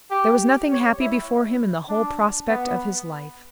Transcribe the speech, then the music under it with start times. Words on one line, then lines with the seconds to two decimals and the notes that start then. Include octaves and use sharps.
There was nothing happy before him in the whole prospect of his life.
0.11 G4
0.71 C#5
1.00 E4
1.89 D4
2.48 B3